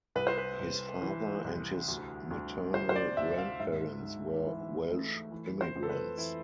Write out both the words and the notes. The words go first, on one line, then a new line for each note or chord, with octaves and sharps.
His father and his maternal grandparents were Welsh immigrants.
C2 B4
C5
B4
C2
E3
C2
D2
D2
D2 C5
C5
D5
D2 E5
F5
G#2 E5
G#2
E3
A3
E3
C5
F2
A4
B4
E3 E4